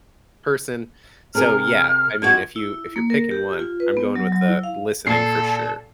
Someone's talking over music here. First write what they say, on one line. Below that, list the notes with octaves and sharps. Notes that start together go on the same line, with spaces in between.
person. So, yeah, I mean, if you if you're picking one, I'm going with the listening for sure.
C3 G#4 A#4 F6
F2 F4 F#4 G#6
E4
A#3
A#4
G4
F4
B4
B3
F#3
F#3
E4
F5
A#2 A4 C7